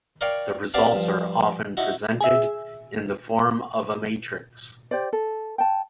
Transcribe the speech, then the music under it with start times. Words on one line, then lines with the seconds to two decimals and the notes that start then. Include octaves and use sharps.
The results are often presented in the form of a matrix.
0.21 A#4 C#5 D5 F5 G5
0.74 B3 C4 G4 D5 F5 A5
0.92 G2 F3
1.77 D#4 E4 F#4
2.21 G#4 E5
4.91 G4 C5 D5
5.13 A4
5.58 G5 A5